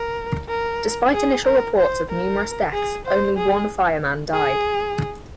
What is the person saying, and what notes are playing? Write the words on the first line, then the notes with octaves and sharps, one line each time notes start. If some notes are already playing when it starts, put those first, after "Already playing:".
Despite initial reports of numerous deaths, only one fireman died.
Already playing: A#4
A#4
G#4
A#4
C5
A#4
G#4
C5
G#4
G#4